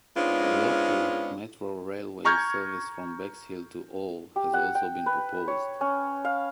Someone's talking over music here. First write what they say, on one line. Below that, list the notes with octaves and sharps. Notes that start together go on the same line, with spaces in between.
A local metro railway service from Bexhill to Ore has also been proposed.
G#2 G#3 B3 C#4 D4 F4
A#5 C#6 F6 G6 G#6
G4
F#5
G5
B4
C#5
C#4
F5